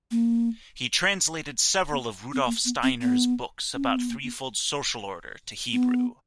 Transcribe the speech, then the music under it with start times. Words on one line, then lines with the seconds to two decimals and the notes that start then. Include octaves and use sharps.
He translated several of Rudolf Steiner's books about Threefold Social Order to Hebrew.
0.11 A#3
1.91 B3
2.33 C4
2.46 A#3
2.65 B3
2.83 C4
3.01 B3
3.74 C#4
3.86 C4
3.97 B3
4.10 A#3
4.23 B3
5.73 B3